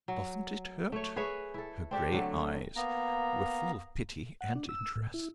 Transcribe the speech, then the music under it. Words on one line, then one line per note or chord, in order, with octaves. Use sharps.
"Dothent it hurt?"--her grey eyes were full of pity and interest.
F#3
A3 C#5
G#4 B4 C#5 E5
E4 A4
C4 D4 G4 A4
D3 F#3 A3
A#3 B3 A#5
F#5
D4
E6
A2
E4